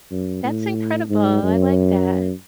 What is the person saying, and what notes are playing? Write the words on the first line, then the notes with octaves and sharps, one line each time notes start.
That's incredible, I like that.
F#2
A2
G#2
F#2